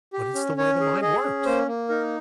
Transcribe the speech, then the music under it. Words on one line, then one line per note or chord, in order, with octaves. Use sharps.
But it's the way the mind works.
G4
C#4
C#4 C#5
G#4
G#4 D#5
C#4
A#3 C5
A#3
D#4 A#4